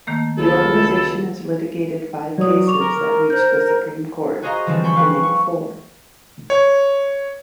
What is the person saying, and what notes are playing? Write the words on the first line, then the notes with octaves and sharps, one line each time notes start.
The organization has litigated five cases that reached the Supreme Court, winning four.
D#3 A3 A#3
C#2 E4 A4
F4
F#3 D5 D#6
C#6 D6 F7
A#4
C5 G6
F#4 G#4 C5 D#5 F5 A#5
D3 E3 F3 G3 G#3 C4
G5 G#5 B5 C#6
B4 F5
C#6
C#5